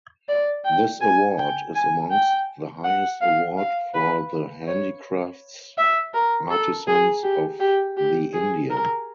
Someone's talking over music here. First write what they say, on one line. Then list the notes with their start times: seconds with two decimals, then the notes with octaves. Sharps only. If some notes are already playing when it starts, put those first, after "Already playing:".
This award is amongst the highest award for the handicrafts artisans of the India.
0.28 D5
0.64 G5
1.01 G#5
1.38 G5
1.75 G#5
2.11 G5
2.84 F#5
3.21 F5
3.58 F5
3.94 B4
4.67 C#5
5.77 E5
6.14 A#4
6.50 A4
6.87 G#4
7.23 G4
7.60 G4
7.97 G4
8.33 G#4
8.70 A#4